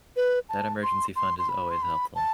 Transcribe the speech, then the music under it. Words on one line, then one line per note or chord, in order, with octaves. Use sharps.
that emergency fund is always helpful.
B4
A5
C6
C6
C6
B5
C6
B5
A5